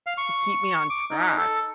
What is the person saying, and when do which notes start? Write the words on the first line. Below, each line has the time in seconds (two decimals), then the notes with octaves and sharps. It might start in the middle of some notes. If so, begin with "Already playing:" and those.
to keep me on track.
0.07 F5
0.18 C#6
0.90 D6
1.11 D#4
1.37 A4